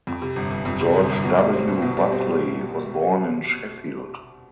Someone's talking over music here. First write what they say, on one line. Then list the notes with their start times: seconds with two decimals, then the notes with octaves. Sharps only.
George W. Buckley was born in Sheffield.
0.07 F2
0.22 C3
0.36 G1
0.51 G1
0.65 F2
0.81 C3
0.95 G1
1.09 G1
1.24 B2
1.39 G3
1.53 C4
1.67 C2
1.82 B2
1.97 G3
2.12 C4